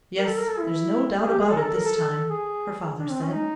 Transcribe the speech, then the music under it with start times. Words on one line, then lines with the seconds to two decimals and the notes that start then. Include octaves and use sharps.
"Yes, there's no doubt about it this time," her father said.
0.18 A#4
0.26 A4
0.37 A#4
0.48 A4
0.59 E4
1.22 G#4
1.27 G4
1.39 G#4
1.50 A4
1.56 A#4
1.62 A4
1.74 A#4
1.85 A4
1.96 A4
2.30 G#4
2.99 D4
3.10 C4
3.21 C#4
3.32 D#4